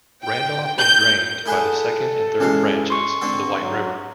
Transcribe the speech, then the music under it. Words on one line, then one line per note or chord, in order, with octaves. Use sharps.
Randolph is drained by the second and third branches of the White River.
G5
G6
E4 G#4 A4 F#5
E3 G#3 C#4 F5
C6 C#6
D3 C4 A4
F#3